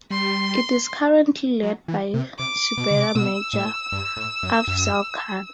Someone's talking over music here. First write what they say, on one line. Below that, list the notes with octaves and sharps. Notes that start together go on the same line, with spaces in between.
It is currently led by Subedar Major Afzal Khan.
G3 C6
F#3
E3
C3
C3 D6
B2
D3
C3
B2 E6
A2
G2
A2
F#2
F#2